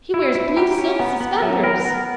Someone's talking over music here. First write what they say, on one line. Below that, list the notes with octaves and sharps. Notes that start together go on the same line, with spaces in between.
"He wears blue silk suspenders."
E4
E4
B5
G4 F#5 A#5
C#4
B3 F#5 A#5
B3
A#5
F#3 E5 G5
F#5 A#5
A#4 G5 B5
F#5 A#5
B3 F#5 A#5